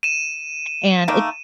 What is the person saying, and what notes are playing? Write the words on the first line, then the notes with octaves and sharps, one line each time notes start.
And it
D#7 E7
D#3 A3 A#3